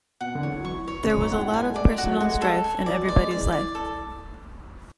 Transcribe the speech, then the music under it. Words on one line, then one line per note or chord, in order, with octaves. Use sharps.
There was a lot of personal strife in everybody's life.
B2 F#5
D3
E3 C#5
F#3
E3 C#6
C#5
C#3
F#2 C#5
G#2
F#5
A2
G#3 G#5
A3
D5
G#3
F#4
F#3
A3
G#3 F#4
A4
G#5
F#3 D5
G#3
D5
G#3
D5
E3
D5
A4